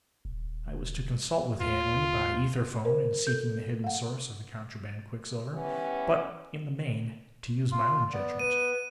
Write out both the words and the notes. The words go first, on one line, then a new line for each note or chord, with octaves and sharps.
I was to consult with Hanley by ether-phone in seeking the hidden source of the contraband quicksilver, but, in the main, to use my own judgment.
D#1
D#2 F4
A#4 C5
A4 G6
F5 F#5
E3 G3 B3 C#4
F4
B3 D5
B4 D#7